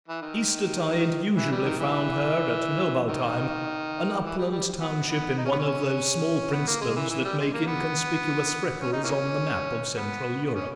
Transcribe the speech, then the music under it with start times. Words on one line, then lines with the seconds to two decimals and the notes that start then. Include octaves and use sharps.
Eastertide usually found her at Knobaltheim, an upland township in one of those small princedoms that make inconspicuous freckles on the map of Central Europe.
0.08 E3
0.22 D#3
1.36 E3
1.52 G3
1.65 D#3
1.79 E3
3.09 D#3
4.24 E3
4.38 G3
4.52 G3
4.80 B3
5.10 B3
5.38 D#4
5.45 C#4
5.52 B3
5.59 C#4
6.52 B3
6.67 A#3
6.81 G#3
6.96 E3
7.10 E3
7.25 G3
7.39 G#3
7.54 A#3
7.67 B3
8.82 C#4
8.93 D#4
9.04 E3 A#3 C#4
9.97 B3
10.45 B3
10.55 C#4